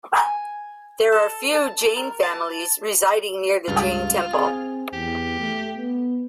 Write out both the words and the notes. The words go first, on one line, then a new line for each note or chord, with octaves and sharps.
There are few Jain families residing near the Jain temple.
G#5
A4
A5
A#4
A5
C#2 G2 F4
C4 G#4
E2 G4
A3
B3